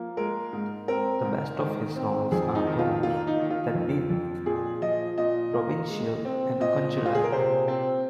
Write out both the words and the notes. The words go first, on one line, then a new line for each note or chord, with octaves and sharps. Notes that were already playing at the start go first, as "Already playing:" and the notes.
The best of his novels are those that deal with provincial and country life.
Already playing: F3 A#3
G#3 A#4
G#2
C4 A#4
G#2
D#3
C4
F2 G#4
D#4
D#3
F4
A#3 F4
D#4
D#3
F4
F2
F2
A#2 G#4
F3 D#5
A#2 D#5
A#3
G#3
C4
A#2 D#5
A#2
F4
G#4
A#4
C3 C5
C4